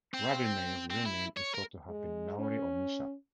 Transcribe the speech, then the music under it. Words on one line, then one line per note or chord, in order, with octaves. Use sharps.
Rabbi Meir's real name is thought to have been Nahori or Misha.
C4
C4
E4
C#5
A#4
G#3
C#4